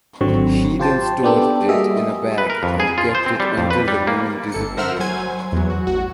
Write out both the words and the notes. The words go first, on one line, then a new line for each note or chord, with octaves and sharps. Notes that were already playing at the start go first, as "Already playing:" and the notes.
She then stored it in a bag and kept it until the moon disappeared.
G#1 D3 F#3 C4 C#6
F4 G4 C5 G5 A5
B3 D4 G4 A4
G3 A#3 F#4 G#4 D#5 E5
B4
A#4
F2
G#4
F4
C5
C4
G3
F2
B4
G3
A#3
G1 A4 C#7
A#4 C5 E5 F#5 E6 F6
F#3 C5 G#5 G#6
E2 F#3
F#4
A1 F#4